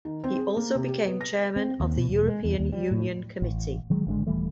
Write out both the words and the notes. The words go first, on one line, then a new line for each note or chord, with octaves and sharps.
He also became Chairman of the European Union Committee.
D#3
C4
G#4
A#3
C3
G4
B3
A#6
C4
D#2
B2
E1
G#3
E2
D#2
G3
A2
A1
D#3 F#3 G#3
G#1 D3 G#3
D#1 E3 G3 A3